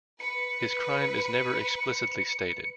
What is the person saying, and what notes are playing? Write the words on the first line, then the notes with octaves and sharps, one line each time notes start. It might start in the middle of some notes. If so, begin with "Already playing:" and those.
His crime is never explicitly stated.
B4 C#7